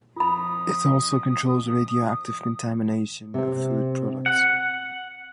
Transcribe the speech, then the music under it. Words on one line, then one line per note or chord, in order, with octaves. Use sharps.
It also controls radioactive contamination of food products.
F2 F4 B5 D#6
C3 C4
F#5